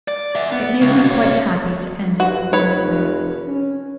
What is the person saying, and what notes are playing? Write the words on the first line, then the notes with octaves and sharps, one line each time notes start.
It made me quite happy to end it in this way.
D5
B3 E5
B3
C#2
B2
B2 C#5
D2
G2 F#4
F1 B4 C#5
C#4